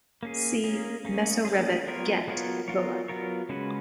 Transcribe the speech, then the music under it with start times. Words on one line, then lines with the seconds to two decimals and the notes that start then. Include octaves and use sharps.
See "Mesorevet get" below.
0.23 A#3 C#4 G#4
0.64 A#3 C#4 G#4
1.05 A#3 C#4 G#4
1.45 A#3 C#4 G#4
1.86 F#3 B3 F4 A#4 C#5
2.28 F#3 B3 F4 A#4 C#5
2.68 F#3 B3 F4 A#4 C#5
3.08 F#3 B3 F4 A#4 C#5
3.49 C#3 G#3 C#4 F#4 B4